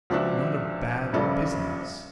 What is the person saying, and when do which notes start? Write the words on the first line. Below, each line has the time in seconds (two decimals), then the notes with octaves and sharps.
"Not a BAD business?"
0.10 C#2 F3 D4 F#4 E5
1.13 A#1 G2 C#3 F3 A4 D5